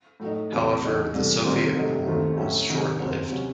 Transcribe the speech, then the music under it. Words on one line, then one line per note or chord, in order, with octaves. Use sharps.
However, the Soviet rule was short-lived.
A2 F#3 A3 D#4
E2 C3 F#3 C4
E2 C#3 G#3 D#4
C2 C3 E3 A3
C2 C3 D#3 F#3 C4
C3 F#3 A3 D#4
D#2 D#3 A3 C4
A2 F#3 C#4 E4
C3 D#3 F#3
D#2 C#3 F#3 C4
C3 F#3 C#4